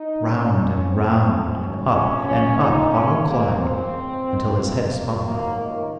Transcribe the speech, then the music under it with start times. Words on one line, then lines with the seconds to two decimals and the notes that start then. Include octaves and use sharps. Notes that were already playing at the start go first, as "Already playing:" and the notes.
Round and round and up and up Otto climbed, until his head spun.
Already playing: D#4
0.24 G#2 D#3 F#3 C#4
0.57 C2 A#2 F3
0.90 G#2 F#3 C4
1.24 C#2 C#3 F3 G#3 C#4
1.58 D#2 C#3 F#3
1.91 C2 A#2 F3 G#3 C#4
2.24 C#2 C3 F3 G#3 C#4
2.57 C#2 C3 F3 G#3 D#4
2.91 C2 A#2 G#3 C#4
3.23 F#2 D#3 G#3 A#3
3.57 C#2 C#3 G#3 C4
3.91 F2 C#3 G#3
4.24 F2 D#3 F#3
4.57 C#2 C#3 G#3 A#3
4.91 F2 C#3 F3 G#3
5.23 F#2 D#3 F#3 A#3
5.57 C#2 C3 D#3